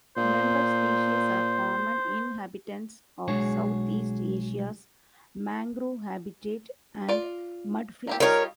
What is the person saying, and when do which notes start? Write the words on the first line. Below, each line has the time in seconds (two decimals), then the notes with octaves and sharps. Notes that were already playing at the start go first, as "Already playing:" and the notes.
Member species are common inhabitants of Southeast Asia's mangrove habitat and mudflats.
0.17 A#2 C5
3.28 B1 G#3 D4 F#4 G#4 C#5
7.08 F4 D5
8.07 A#3 E4 G4
8.20 G3 D#4 F4 A#4 C#5